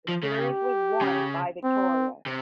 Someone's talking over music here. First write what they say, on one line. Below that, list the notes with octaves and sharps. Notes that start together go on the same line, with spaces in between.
The series was won by Victoria.
F3
C#3
G4
C#3
C4
C3